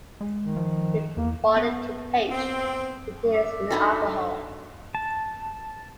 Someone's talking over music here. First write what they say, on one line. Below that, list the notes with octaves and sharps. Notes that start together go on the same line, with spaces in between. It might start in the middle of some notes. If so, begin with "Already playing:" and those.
If bonded to H it is an alcohol.
G#3
D#3
F3
E2 A#3
B3
C4
D5 E5
D4 D#4 F#4 A4 B5
A5